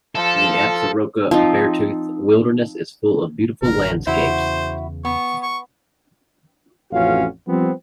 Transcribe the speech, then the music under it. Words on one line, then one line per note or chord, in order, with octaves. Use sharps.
The Absaroka-Beartooth Wilderness is full of beautiful landscapes.
F3 A4
F3 C4 D#4
A1 F2 D3 A#4
E2 C#3 E4 F#4 C5
B3 C#6
C#6
A1 F2 C#4 F4 F#4 F5
F3 G3 B3 C4